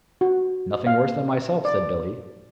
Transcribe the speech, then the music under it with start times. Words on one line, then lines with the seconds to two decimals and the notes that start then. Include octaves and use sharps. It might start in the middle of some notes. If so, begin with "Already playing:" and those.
"Nothing worse than myself," said Billy.
0.21 F#4
0.87 F5
1.65 D5